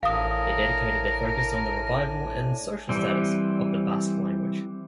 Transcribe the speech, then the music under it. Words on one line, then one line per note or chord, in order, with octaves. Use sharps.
They dedicated their focus on the revival and social status of the Basque language.
A1 A2 D4 A#4 F5 G#5 D#6
E3 G3 C4